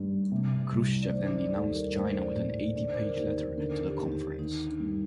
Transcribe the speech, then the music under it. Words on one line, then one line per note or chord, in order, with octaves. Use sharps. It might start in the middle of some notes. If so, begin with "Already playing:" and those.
Khrushchev then denounced China with an eighty-page letter to the conference.
Already playing: G2 D#3
C3
C2
D5
D#3 C5
D5
D#2 A4
A#4
A3 C5
C5
D5
A#2
D5
D3 D5
C5
A#4
D#2 C5
D3 A#4
G4
D#2
G4
D#3 D#4
D4
G2